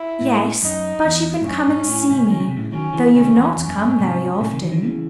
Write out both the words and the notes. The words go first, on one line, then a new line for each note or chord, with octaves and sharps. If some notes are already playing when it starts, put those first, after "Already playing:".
"Yes, but you can come and see me; though you've not come very often."
Already playing: E4
A2
F#2 D#4
E2
G#2
F#2 C#4
G#2
A2
G#2 C3
D#3
C#3
C3
A2 C#3
D#3 F#3 C#4
C#3 E3
C3 D#3 C#4
E2
E2 C#4
F#2
F#2
G#2
G#2 C3
A2 C#3
C3 D#3
D#3 F#3
D#3 F#3
C#3 E3